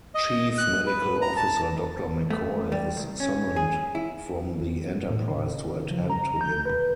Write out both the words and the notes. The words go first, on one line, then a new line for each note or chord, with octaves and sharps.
Chief Medical Officer Doctor McCoy is summoned from the "Enterprise" to attend to him.
D#5
F#6
B4
A#5
A5
A3
G3
C2
C#4
G#4
E4
A2
C#3
F3
A#5
G6
B4